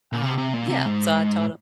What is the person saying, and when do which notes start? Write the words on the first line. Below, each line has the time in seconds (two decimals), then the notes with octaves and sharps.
um, yeah. So I told him
0.13 A#2
0.22 C3
0.38 C3
0.53 A#2
0.70 C3
0.86 G#2